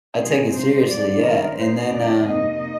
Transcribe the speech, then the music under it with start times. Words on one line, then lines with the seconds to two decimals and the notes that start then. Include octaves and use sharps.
I take it seriously, yeah, and then, um
0.19 C3 F3 G#3 C4 D#4 G#4
0.54 C3 F3 G#3 C5
0.88 F2 D3 G3 D5
1.23 D#3 G#3 D#4 A#4
1.57 A#2 F3 A#3 D#4 C5
1.92 F2 D3 G#3 D5
2.26 F2 C3 F3 A#3 D#4 D#5